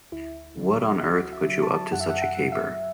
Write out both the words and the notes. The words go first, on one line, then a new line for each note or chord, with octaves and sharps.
What on earth put you up to such a caper?
D2 E4
D3 F#3
D2 F#4
E5
D3 F#3
A5
F#2 F#5
E5
F#5
F#5
F#3
E5